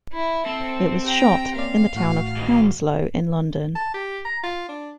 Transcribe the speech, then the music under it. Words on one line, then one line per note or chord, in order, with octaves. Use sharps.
It was shot in the town of Hounslow in London.
E4
C4 A4
G4 G5 A#5
A#3 C#4 D5 F5
A1 A2 F#4
G#2 D#3
A5
G4
A#5
F4
D4